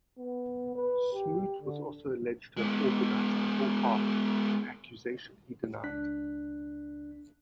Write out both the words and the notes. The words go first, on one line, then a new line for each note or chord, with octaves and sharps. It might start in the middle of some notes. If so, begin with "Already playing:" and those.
Smoot was also alleged to have organized the whole party, an accusation he denied.
B3
B4
G4
D3
G#3 B3
C#2 D4 F#6 B6